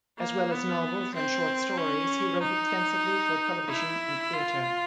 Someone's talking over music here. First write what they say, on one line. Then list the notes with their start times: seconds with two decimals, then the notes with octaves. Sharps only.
As well as novels and short stories, he wrote extensively for television and theatre.
0.18 A#3
0.51 B3
1.15 C4
1.78 C#4
2.42 D#4
3.69 E4
4.33 F4